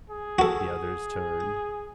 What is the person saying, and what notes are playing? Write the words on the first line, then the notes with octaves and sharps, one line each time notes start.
The others turned.
G#4
F#4 A4